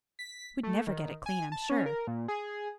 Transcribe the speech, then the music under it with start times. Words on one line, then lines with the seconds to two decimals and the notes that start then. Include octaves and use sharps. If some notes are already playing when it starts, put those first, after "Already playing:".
"We'd never get it clean, I'm sure."
0.19 B6
0.63 A3
0.87 D#3
1.26 G#5
1.52 A5
1.70 C#4
1.86 A#4
2.07 A#2
2.28 G#4